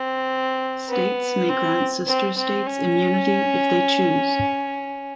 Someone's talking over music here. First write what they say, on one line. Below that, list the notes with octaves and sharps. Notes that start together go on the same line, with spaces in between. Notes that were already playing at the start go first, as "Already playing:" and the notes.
States may grant sister states immunity if they choose.
Already playing: C4
B3
C4
C4
C4
C#4